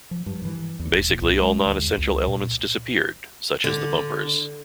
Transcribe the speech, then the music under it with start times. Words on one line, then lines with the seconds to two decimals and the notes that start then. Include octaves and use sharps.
Basically all non-essential elements disappeared, such as the bumpers.
0.11 F3
0.26 G2
0.45 E3
0.79 E2
0.92 D#1
1.09 A#2
1.22 C2
1.42 G#3
1.65 D2
1.79 E2
1.98 C#2
2.27 A#2
3.64 D3